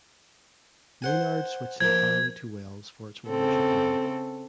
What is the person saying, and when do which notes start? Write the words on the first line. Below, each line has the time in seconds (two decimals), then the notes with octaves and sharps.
Maynard switched entirely to wells for its water supply.
1.02 C5 F#5 G#5
1.80 F3 A#3 G#6
3.29 C#3 C4 A4